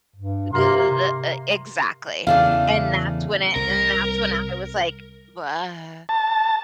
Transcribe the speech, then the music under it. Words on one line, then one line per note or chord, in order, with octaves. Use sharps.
E exactly. And that's when it and that's when I was, like, "Bleh."
G2
C3 A#3 A#4 C6
E2 C#3 E3 A3 D4 F5
C2 A#4
A5